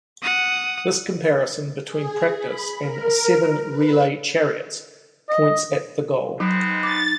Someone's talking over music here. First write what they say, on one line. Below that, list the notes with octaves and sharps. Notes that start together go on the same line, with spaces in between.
This comparison between practice and "seven relay chariots" points at the goal.
F#5 D#6
G#4
B5
A#4
B4
D#5
F#3 G#3 B3 C4 D#4
D6 A6